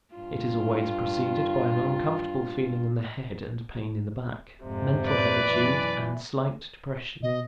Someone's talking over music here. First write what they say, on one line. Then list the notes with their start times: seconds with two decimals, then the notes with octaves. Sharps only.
It is always preceded by an uncomfortable feeling in the head, and pain in the back, mental hebetude, and slight depression.
0.15 G2 F4
4.63 F2 G#2 C3
5.06 B4 D5
5.45 F#2 B2 E3
7.23 B2 D#5